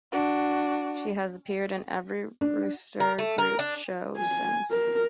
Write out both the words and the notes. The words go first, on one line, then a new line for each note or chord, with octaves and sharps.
She has appeared in every Wooster Group show since.
D4 F#4
D4
A#4
A3
A#4
D4
G#5
A#4